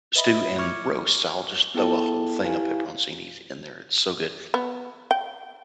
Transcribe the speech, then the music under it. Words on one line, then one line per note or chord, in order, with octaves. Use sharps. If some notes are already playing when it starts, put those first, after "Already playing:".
stew and roast. I'll just throw a whole thing of peperoncinis in there. It's so good.
B4 D#5 E5 B5
C#6 D6 F6 G#6 C#7
B3 E4 G#4 A4 G5 A5
E4 G4 B4 F5 G#5
B3
G5